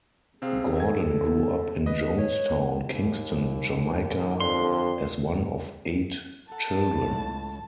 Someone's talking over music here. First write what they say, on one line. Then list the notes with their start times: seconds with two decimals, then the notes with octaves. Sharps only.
Gordon grew up in Jones Town, Kingston, Jamaica as one of eight children.
0.42 C3 C4 G#4 F5
0.77 D#2 A4 G#6
1.86 B4 D#5
2.18 C#5
2.88 D#2
4.40 F2 D3 C6
6.52 A4 F#5 A5 A#5
7.07 C#2 A2